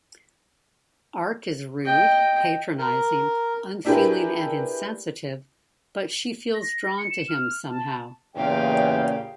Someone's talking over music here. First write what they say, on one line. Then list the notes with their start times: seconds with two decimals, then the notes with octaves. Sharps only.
Arc is rude, patronizing, unfeeling and insensitive but she feels drawn to him somehow.
1.84 D#5 G5
2.78 A#4
3.85 D4 E4 G4 G#4 A#4 B4
6.55 A#6
6.99 C#7
7.11 E7
7.28 F6
7.70 A5
8.36 E2 A#2 C#3 G4 F5 G5